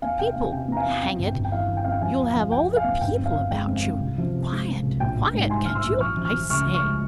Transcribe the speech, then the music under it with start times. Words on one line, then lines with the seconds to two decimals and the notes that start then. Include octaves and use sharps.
'The people--hang it!--you'll have all the people about you. Quiet--quiet--can't you, I say.
0.02 E2 F5 G#5
0.18 C3 G5
0.27 F5
0.36 E2 G#5
0.52 C3 G5
0.68 E2 A#5
0.77 F5 G#5
0.86 E2
1.02 F2 G5
1.19 G1
1.27 G5
1.35 G1
1.45 G5
1.52 E3 F5
1.68 E3
1.77 G5
1.84 F2 F5
1.92 G5
2.01 F3 F5 G#5
2.18 E1
2.26 F5
2.35 F3
2.52 E1 G5
2.68 E1
2.76 F5 G#5
2.84 E2
3.01 G1 G5
3.18 F2
3.26 F5
3.35 F2
3.51 G#3 G5
3.67 F2
3.76 F5
3.85 F2
4.01 C2
4.18 F3
4.34 C3
4.51 G#3
4.67 C3
4.83 C2
5.00 A#1 G5
5.17 A#1
5.34 G#2
5.50 G3 G#5 C6
5.66 G#2 F6
5.75 C6 E6
5.84 A#1
6.00 F3 C#6 F6
6.17 F3
6.25 C#6 F6
6.34 F3
6.49 C#2 C#6 F6
6.67 F3
6.74 C#6 F6
6.83 G#3